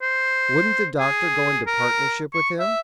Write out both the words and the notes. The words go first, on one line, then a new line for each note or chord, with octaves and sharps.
Wouldn't the Doctor go into partnership with him?
C5
G#4
A#4
C#6
E5